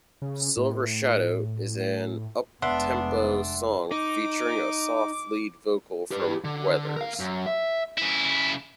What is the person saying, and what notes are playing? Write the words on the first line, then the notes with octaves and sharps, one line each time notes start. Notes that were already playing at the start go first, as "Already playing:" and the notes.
"Silver Shadow" is an uptempo song featuring a soft lead vocal from Weathers.
C#3
A2
F1 G#3 B3 D4 E5 F#5 C6
D#4 D6
G4 B4
D3
A#4 F5
F#2
E5
C#3 E4